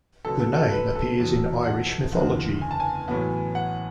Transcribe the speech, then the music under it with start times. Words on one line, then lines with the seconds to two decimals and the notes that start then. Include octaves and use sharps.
The name appears in Irish mythology.
0.25 C#2 B2 F#3 A4
0.40 A4
0.56 A4
0.72 B4
0.96 A4
1.19 E2 B2 F#3
1.66 F#5
2.13 F#1 E2 D3
2.61 G#5
2.71 A5
2.80 G#5
3.08 A1 A2 F#3 B3
3.55 F#5